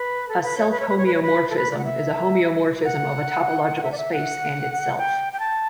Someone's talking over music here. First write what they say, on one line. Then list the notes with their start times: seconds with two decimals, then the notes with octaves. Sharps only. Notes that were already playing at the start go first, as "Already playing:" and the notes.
A self-homeomorphism is a homeomorphism of a topological space and itself.
Already playing: B4
0.29 A4
0.44 B4
0.57 C#5
0.71 B4
0.80 C#5
0.89 B4
0.98 C#5
1.06 B4
1.15 C#5
1.22 B4
1.50 A4
1.57 B4
1.71 D5
1.78 F#5
1.85 E5
2.85 F#5
3.77 F#5
3.83 E5
3.92 D5
3.98 E5
4.13 F#5
4.98 G5
5.33 G5
5.40 A5